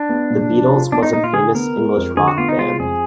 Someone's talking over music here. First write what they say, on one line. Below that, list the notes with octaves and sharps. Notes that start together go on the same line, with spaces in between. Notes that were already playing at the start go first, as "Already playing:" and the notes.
The Beatles was a famous English rock band.
Already playing: D4
B3
A#2
F3
F4
B3 D4
D#4
A#2 D#4
F4
D3 G#4
B3 A#4
G#3
F2
D3 G#4
F#4
B3 F4
D#4
G#3 F4
F2 G#4